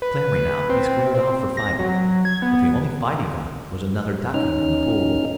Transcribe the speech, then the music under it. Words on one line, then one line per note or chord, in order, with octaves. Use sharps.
Clambering out he squared off for fight, but the only fight he got was another ducking in the pool.
B4
C4
C4
A#6
F#3
G#6
B3
C#4 D#4 F6